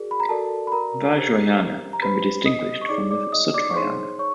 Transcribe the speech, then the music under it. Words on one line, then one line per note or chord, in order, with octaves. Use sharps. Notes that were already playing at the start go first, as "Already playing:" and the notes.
Vajrayana can be distinguished from the Sutrayana.
Already playing: F#4 G#4 A#4 D5
B5
A#5
F#4 A4 A#4 D5 A5
B5
A#4 A#5
G4 C5
A#5
G4 B4 C5 B5
D#5 D#6
C#6
D#4 G#4 C#5 D5 D6
D5 D6
D#5 D#6
D5 D6
C#6
D#4 G#4 C5 C#5 C6
C#5 C#6